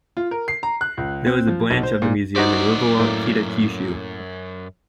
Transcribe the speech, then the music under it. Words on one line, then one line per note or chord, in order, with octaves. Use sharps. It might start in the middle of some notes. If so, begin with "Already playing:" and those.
There is a branch of the museum in Riverwalk Kitakyushu.
F4
A#4
C7
A#5
F#6
C#2
C4
F3
B1
C5
A#2
F#2 D#4 F#4 C5 D5
A2 A#3